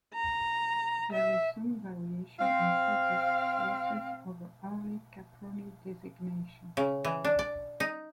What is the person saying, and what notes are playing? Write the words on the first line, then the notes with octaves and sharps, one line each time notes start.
There is some variation in published sources over early Caproni designations.
A#5
E5
C4 F5
C#3
E3
D4
D5
D#4